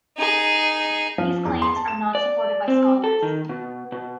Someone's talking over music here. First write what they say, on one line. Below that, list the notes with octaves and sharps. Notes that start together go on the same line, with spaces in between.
These claims are not supported by scholars.
D#4 G#4
F3
E2
C6
A5
E7
D5
C4
A4
D#3
B2
B2